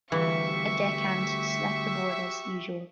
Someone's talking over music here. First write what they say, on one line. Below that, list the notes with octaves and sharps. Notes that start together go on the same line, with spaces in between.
A deck hand slept aboard as usual.
D2 E3 G3 F#4 G4 E5 F5 C#6